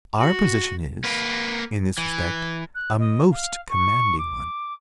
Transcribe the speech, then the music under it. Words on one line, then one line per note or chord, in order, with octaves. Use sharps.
Our position is, in this respect, a most commanding one.
F#4
A#3 B4
E3
F#6
D#5
F5
C#6
D6